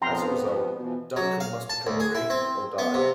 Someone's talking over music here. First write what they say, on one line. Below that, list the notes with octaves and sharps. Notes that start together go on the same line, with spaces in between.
As a result, Duncan must become Mri or die.
F2 F3 B3 G5 A#5 C6
B2 E3 F3
F#3
F5
A5
D2
G#4
E4
C4
B3
C3